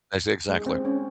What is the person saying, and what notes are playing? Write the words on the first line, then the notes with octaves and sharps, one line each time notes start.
Ex exactly.
G#3
C4
C#4